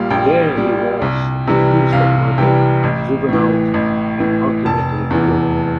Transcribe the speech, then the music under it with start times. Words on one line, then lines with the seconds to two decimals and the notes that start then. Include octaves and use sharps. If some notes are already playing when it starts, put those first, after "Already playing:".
There, he was accused of murder, driven out and ultimately killed.
Already playing: A#1 A#2 G3 F5
0.10 A#1 G5
0.56 A#2 G3
1.02 C2
1.47 C3 E3 G3
1.92 C2 F5
2.38 C3 E3 G3 G5
2.83 A1
3.29 A2 E3
3.74 A1
4.20 A2 E3
4.65 F1 A5
5.10 E2 E3